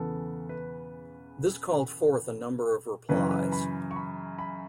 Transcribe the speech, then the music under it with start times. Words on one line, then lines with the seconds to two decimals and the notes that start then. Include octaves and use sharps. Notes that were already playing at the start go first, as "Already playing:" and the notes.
This called forth a number of replies.
Already playing: E2 C#3 E3 B3 A4
0.49 B4
3.09 F#2 C#3 E3 B4
3.31 B4
3.52 B5
3.91 C#6
3.96 B5
4.39 B5